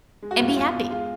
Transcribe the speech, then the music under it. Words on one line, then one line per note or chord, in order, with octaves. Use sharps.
And be happy.
G#3
F#4
G2 F4
E4
E2 F4
F4
E2
G#3 F4